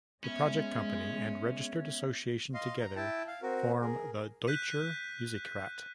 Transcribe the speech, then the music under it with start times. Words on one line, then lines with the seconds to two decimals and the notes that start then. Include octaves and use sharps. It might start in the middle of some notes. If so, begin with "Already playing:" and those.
The project company and registered association together form the Deutscher Musikrat.
0.24 G#3 B3 C#4 E5
2.54 D#5 F5 C6
2.80 A#5
2.96 E4 G5 A5
3.28 F5
3.42 C4 F#4 A#4
3.81 G#4 A#4
4.47 F#6 G6 B6 D#7